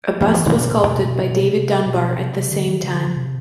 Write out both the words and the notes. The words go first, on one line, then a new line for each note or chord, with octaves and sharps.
A bust was sculpted by David Dunbar at the same time.
F3
E3
B2
B2
A#2
B2
C3
B2
C3
B2
C3
B2
C3
D3
D#3
C#3
D3
C#3
C3